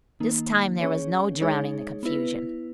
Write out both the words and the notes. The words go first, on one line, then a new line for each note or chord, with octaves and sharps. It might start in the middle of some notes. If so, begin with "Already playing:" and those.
This time there was no drowning the confusion.
D#3 A#3 D#4
C#4 G#4 C#5
G#3 D#4 G#4 C#5
B3 E4 B4